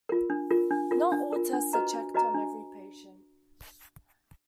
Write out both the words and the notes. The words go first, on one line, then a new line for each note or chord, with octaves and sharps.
Not all tests are checked on every patient.
F4 A#4
D4
F4 A#4
D4
F4 A#4
D4
F4 A#4
D4
F#4 B4 D#5 A#5
D4
F#4 B4 D#5 A#5
D4